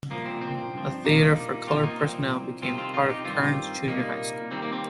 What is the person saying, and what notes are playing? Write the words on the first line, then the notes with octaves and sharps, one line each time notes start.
A theater for "colored personnel" became part of Kearns Junior High School.
C2 A#2 F3 A#3
C4
C4
G2 F3
A#3 D#4
C2 A#2 G3
C4 F4
A#3 D#4
C2 A#2 F3 C4
C2 C3 D#3 C4 F4
C4 F4
C4 F4
D#4 G4
G2 D#3 G3 C4 F4
C2 A#2 G3 A#3 D#4
D#2 D#3 G3 C4
A#3
C4